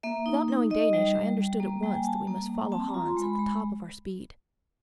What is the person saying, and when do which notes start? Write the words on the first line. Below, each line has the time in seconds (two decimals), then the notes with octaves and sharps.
Without knowing Danish I understood at once that we must follow Hans at the top of our speed.
0.03 A#3 E5
0.26 D#4
0.48 D#4
0.70 D#4 D#5
0.93 G3
1.15 G3
1.38 G3
1.60 A#3
1.83 G3 G5
1.95 G#5
2.05 G3 A5
2.27 A#3
2.38 A#5
2.49 G3
2.72 C4 A5
2.89 A#5
2.94 F4
3.06 C6
3.17 G#3
3.22 B5
3.39 G#3 B5